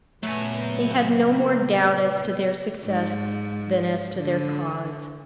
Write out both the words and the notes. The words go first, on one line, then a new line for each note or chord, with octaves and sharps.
They had no more doubt as to their success than as to their cause.
A#2 C#3 F#3 A3 B3 G#5
G#2
D3